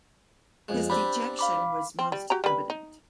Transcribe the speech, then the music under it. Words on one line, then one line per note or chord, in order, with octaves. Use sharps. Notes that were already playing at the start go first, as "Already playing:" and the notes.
His dejection was most evident.
F2 G#3
C4 D4 G4 B5
F5 B5 D6
C4
G3
F#4 G4 A#5
G3 B4
D#4